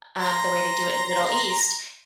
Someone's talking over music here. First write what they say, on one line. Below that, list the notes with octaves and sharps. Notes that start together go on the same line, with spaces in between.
Um, the way they do it in the Middle East,
A#5 C6